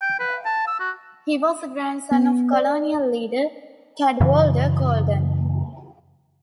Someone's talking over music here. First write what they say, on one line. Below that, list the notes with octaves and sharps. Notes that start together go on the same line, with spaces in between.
He was the grandson of Colonial leader Cadwallader Colden.
G5
B4
A5
E6
F#4
B3
D5
F#2 C#3 E3